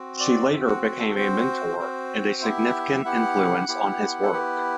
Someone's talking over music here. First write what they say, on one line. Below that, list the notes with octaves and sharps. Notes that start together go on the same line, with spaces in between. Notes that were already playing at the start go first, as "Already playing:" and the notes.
She later became a mentor and a significant influence on his work.
Already playing: C4 F#4
D5
C4 F#4 E5
F#5
F#5
A4
C4 F#4 C5
C4 F#4
B3 E4 G4 E5
B3 E4 G4 F#5
B3 E4 G4
A4
B3 E4 G4 B4